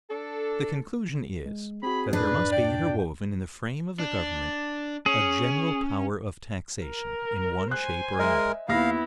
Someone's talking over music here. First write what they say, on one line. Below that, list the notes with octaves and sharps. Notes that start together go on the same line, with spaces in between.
The conclusion is, that there must be interwoven, in the frame of the government, a general power of taxation, in one shape or another.
D4 A4
G#3
C4 F#4 G#4 B5
F2 G#2 D4 B4
D5 G5
D4
C#4 G#4
A#4
C5 G#5 F#6
G#3 A#4 D#5 E5
D#2 B3 E4 F5 A#6